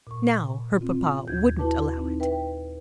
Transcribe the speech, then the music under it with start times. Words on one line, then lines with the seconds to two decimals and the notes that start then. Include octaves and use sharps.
Now her papa wouldn't allow it.
0.07 A#2 C#6
0.81 C4 C#4 F4
1.26 D#2 G6 G#6
1.58 E4 F#4 B4 A5 D6
1.97 C4 D#4
2.20 B4 E5 G5